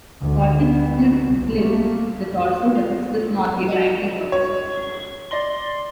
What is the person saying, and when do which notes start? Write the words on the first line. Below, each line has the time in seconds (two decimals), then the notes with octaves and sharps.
Corsets still slimmed the torso but this was not their primary purpose.
0.21 D2
0.58 B3
1.26 C2
1.55 A3 A#3
2.75 F4
3.68 F#4 D5 D#5
4.32 C#5
5.31 D5 C6 A#6 G7